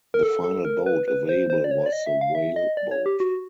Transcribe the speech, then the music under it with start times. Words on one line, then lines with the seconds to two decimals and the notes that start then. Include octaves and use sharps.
The final boat available was the whale boat.
0.14 A#4
0.23 A4
0.44 A4
0.65 A#4
0.86 B4
1.08 B4
1.29 C5
1.50 C5
1.64 D5
1.71 C#5
1.86 D5
1.93 D#5
2.06 E5
2.21 F5
2.35 E5
2.56 D#5
2.77 D5
2.91 C#5
3.06 G4
3.20 F#4